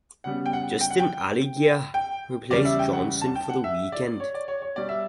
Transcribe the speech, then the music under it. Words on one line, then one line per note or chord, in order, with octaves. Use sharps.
Justin Allgaier replaced Johnson for the weekend.
C#3 G3 B3 F#5
G5
F#5
G5
F#5
G5
G5
E2 C#3 G3 D5
E5
G5
F#5
A5
G5
F#5
E5
D5
C#5
D5
C#5
C#5
B2 G3 B3 D5
E5